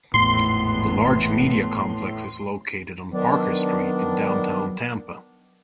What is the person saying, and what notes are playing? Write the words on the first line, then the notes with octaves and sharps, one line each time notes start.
The large media complex is located on Parker Street in Downtown Tampa.
G#1 E2 A2 A3 B3 C6
D#3 F#3 B3 D4